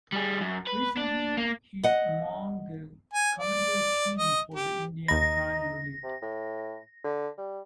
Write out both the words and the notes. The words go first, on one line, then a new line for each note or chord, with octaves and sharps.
Recently, he is among the commentary team for the Indian Premier League.
G3 G#4
F#2
B4
D4
A#3
D#5 F#5
G#5
D5
D#5
G4
D#2 D#4 B5 A#6
C3
A2
D3
G3